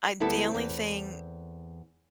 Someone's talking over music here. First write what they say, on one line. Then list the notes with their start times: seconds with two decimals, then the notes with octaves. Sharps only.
I the only thing,
0.20 D2 G3 B3 E4 A4
0.51 E2 C4